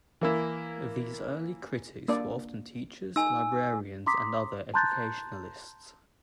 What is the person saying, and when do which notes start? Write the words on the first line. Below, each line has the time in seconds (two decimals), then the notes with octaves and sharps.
These early critics were often teachers, librarians and other educationalists.
0.21 E3 A#3 E4
2.08 A#3 D4 D5
3.16 D#4 G#5 E6
4.06 A#5 C6 D6 D#6 B6
4.74 A5 A#5 C6 F#6 G6 A6